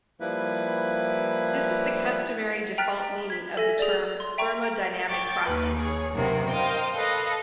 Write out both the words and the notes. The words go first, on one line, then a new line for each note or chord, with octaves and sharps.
This is the customary default meaning of the term 'thermodynamic process'.
F3 G3 A#3 E4 B4
G5 A#5 F6 F#6 A6 B6
G#6 B6
A4 E5 G#5 A#6
G#4 D5
C6
E5 G5 A#5 C#6
G5 C#6 D6 A6
D#2 B4
G#4 C#5
F#2 C3 D#3 A#3 B3
A#4 C5 D#5 F5 G5
A4 B4 D#5 F5